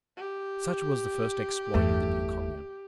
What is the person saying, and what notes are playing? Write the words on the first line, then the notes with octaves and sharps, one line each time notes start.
Such was the first exploit of the new Commune.
G4
G1 E2 A3